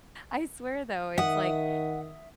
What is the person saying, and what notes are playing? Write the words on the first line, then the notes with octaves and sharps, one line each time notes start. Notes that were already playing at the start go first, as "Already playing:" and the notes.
I swear, though, it's, like
D#3 E5 F#5 D#6